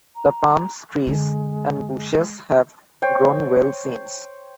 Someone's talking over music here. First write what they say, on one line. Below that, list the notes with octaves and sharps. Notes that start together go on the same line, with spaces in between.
The palms, trees and bushes have grown well since.
A#5
F#2 D3 G#3
C5 C#5 G5